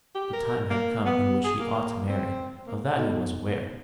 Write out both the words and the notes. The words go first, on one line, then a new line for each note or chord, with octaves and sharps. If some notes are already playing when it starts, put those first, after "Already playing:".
The time had come in which he ought to marry; of that he was aware.
G4
A#4
A#3
B3
G#4
A#3
C4
A#3
B3 D#4 F#4 A4 D#5